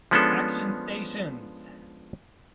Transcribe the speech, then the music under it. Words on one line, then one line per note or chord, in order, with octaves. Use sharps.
Action Stations!
F3 G#3 B3 C#4 D4 A4